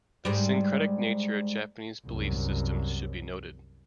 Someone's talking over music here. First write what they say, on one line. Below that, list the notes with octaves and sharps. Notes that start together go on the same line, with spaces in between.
The syncretic nature of Japanese belief systems should be noted.
G#2 G3
C2 F#2